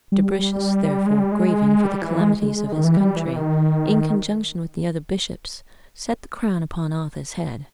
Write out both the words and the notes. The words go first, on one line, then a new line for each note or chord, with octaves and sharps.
Dubricius, therefore, grieving for the calamities of his country, in conjunction with the other bishops set the crown upon Arthur's head.
G3
G#3
G3
G#3
G3
E3
G#3
G#3
D#3
E3
G3
E3
D#3